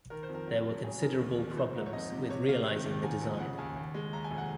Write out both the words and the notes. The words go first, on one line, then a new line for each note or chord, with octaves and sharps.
There were considerable problems with realising the design.
D#3 A#4
C5
F2
A#4
F#3
F#3
C#3 G#4
F2 A#4
D#2
D#2
A#1 C5
G#2
C#5
F2 D#5
C3
C3 C#5
C3 F5
D#3
D#2
G#2 G#5
A#1
C#3 F#5
D#2 G#5
D#2
G#3
D#2 A#5
G#5
F1
F#5